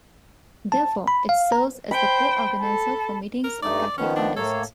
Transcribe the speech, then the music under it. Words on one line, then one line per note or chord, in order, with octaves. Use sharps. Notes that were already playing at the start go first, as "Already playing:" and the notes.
Therefore, it serves as the co-organizer for meetings of Catholic artists.
A5
B5
F5
A#5
C5 G5 B5
A4
A#4
G2 A3 D#4 D5
D#3 F3 B3 C#4
D4
A2 A#3 A4 C#5